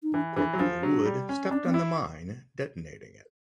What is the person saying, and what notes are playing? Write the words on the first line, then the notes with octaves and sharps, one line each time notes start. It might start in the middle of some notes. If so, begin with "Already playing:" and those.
Corporal Wood stepped on the mine detonating it.
D#4
E3 D4
E3 D4
F#3
F3 D4
F#3 D4
G3
C#4
C#4 D4
B3
C4
E4